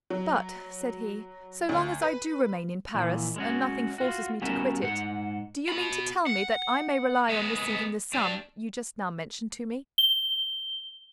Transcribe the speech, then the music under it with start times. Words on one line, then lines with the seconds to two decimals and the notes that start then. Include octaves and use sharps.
"But," said he, "so long as I do remain in Paris, and nothing forces me to quit it, do you mean to tell me that I may rely on receiving the sum you just now mentioned to me?"
0.10 F#3
1.69 D2
2.02 B4
2.95 A#2 E3 F3
3.36 G#3 C#4 F#4
3.98 F4 F#4
4.42 G3 B3 C#4 F#4 A#4 E5
4.82 G#2 F#5
5.69 F#4 B5
6.26 F#5
7.29 G#3 B3
8.13 G3 D4
9.98 G7